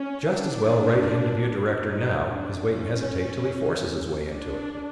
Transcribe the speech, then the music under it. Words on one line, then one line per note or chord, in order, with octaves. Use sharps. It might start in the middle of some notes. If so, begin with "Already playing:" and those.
Just as well write him to be a director now as wait and hesitate till he forces his way into it.
Already playing: C#4
D4
D#4
D4
C#4
D4